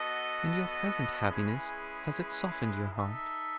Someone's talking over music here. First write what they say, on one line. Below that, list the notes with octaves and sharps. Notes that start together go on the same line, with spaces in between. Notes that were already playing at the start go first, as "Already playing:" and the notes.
"And your present happiness, has it softened your heart?"
Already playing: B3 F#4 A4 D#5
G#3 C#4 E4 G#4 B4
D#4 A4 E5